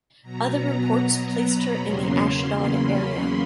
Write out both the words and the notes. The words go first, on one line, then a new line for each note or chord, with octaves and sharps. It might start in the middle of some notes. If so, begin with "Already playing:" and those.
Other reports placed her in the Ashdod area.
B2 F#3 B3 A#5
A#5
B5
E2 C#3 F#3 A#3 C#4 C6
C6
B5